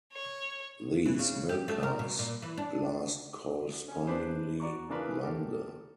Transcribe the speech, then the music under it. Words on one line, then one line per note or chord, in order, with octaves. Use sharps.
These milk cars last correspondingly longer.
C#5
E3
C#3
G4
A3
A#4
B2
A#2
E3
D4
C#4 G#5
D4 B4 C5
F#4 D5 A#5 C#6
C#3 E3 D4 F4 A#4 B4
G4 A4 A#4